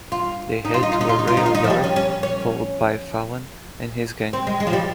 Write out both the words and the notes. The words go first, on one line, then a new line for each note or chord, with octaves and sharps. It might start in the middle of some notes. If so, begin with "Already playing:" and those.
They head to a railyard, followed by Fallon and his gang.
F4
D#4
F4
D#4
F4
D#4
F4
D#4
F4
D#4
F4
D#4
F3
G3
C#4
C#4
C#4
C4
G#3
G#3
F3
G3